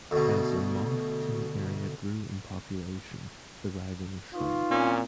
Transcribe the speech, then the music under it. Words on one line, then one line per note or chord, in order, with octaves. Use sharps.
As the Moncton area grew in population, the riding shrank.
D2 B2
D#4 F4 B4 C#6
A#2 A#3 C4 C#4 E4